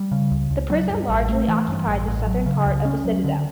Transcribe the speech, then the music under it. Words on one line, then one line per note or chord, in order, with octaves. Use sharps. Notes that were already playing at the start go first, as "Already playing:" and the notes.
The prison largely occupied the southern part of the citadel.
Already playing: G3
C#3
C#2
C#2
F#3
G2
A1
A3
E3
G2
A1
A1
F#3
C#3
C#2
C#4
F#3
D3